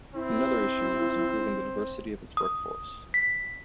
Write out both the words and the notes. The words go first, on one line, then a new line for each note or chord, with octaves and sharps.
Another issue was improving the diversity of its workforce.
C4 E4
D#6
B6